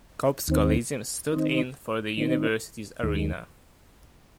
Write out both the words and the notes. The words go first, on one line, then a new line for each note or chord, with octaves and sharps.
Copps Coliseum stood in for the University's arena.
D#2 D#3 C4
D#3 C4 D#4
D#3 C4 D#4
D#2 D#3 G#3